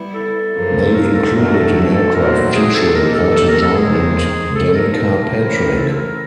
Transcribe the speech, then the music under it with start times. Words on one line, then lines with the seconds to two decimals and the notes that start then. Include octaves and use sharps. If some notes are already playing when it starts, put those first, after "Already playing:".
They included an aircraft featuring Elton John and Danica Patrick.
Already playing: G3 B3 E4
0.13 A4
0.54 F#2 C#3 F3 A#3
0.95 A#4
1.14 A4
1.35 F#2 D#3 F#3 A3 D4 A#4
1.54 A4
1.95 A4
2.14 A#2 F#3 A3 C4 A#4
2.56 G#4
2.75 A4
2.95 E3 G3 A#3 D#4 G4 A#4
3.15 A4
3.35 A4
3.49 A#4
3.62 A4
3.75 D#2 D#3 G#3 C4 G#4
4.55 A#2 F3 A3 A4
4.75 A#4
5.36 C#3 E3 A3 C4 E4
5.77 A4
5.90 A4
5.97 A#4